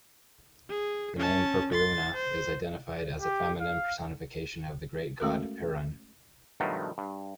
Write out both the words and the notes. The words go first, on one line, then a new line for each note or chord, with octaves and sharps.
The name "Perperuna" is identified as a feminine personification of the great god Perun.
G#4
C#4 A5
C6 A6
C5
G4
F5
G#3 A3 C#4 F#4 A4 A#4
G2 B2 D#3 F3 F#3 A3
G2